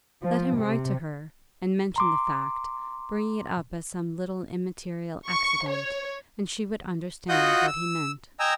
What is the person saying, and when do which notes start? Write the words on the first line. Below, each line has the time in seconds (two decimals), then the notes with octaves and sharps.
Let him write to her, and mention the fact, bringing it up as some little immaterial accident, and she would understand what he meant.
0.23 F3
0.57 C3
1.96 A#5 C6 D6
5.27 C#6
5.70 C#5
7.29 F4 F#4 D#5 F#5 D#6 G6
7.67 E6
8.40 D#5 G5 G#5 A#5 E6